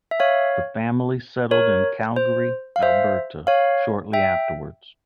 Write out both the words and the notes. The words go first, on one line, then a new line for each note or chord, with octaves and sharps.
The family settled in Calgary, Alberta shortly afterwards.
E5
C#5 F5
A#4 C#5
C5
F5
C5 E5
C#5 F5
E5 G5